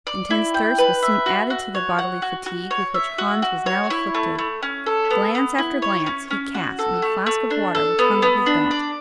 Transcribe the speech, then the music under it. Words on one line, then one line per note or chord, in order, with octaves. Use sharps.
Intense thirst was soon added to the bodily fatigue with which Hans was now afflicted; glance after glance he cast on the flask of water which hung at his belt.
D5
E4
G5
B4
E5
F#4
F#4
C#5
F#5
F#4
F#4
C#5
E5
F#4
F#4
C#5
E4
A3
A3
C#4
A4
B3
B3
E4
C#5
C#4
C#4
F#4
A4
A3
A3
D4
A4
B3
B3
D4
D5